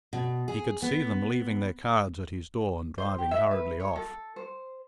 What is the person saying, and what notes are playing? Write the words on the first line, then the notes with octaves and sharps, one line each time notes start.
He could see them leaving their cards at his door and driving hurriedly off.
B2
G#4
B3
C5
G4
E5
B4
C#5
A4
C5